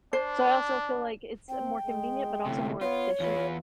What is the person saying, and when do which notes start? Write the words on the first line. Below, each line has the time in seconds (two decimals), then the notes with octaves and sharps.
so I also feel like it's more convenient, but also more efficient
0.13 D4 C5
1.49 C4 G5
1.86 G#3
2.46 D2 A2 C3
2.81 B3 F4 C#5
3.20 E2 F4 B4